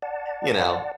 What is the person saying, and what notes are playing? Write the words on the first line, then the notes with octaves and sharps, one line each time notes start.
you know,
D5 F#5 A5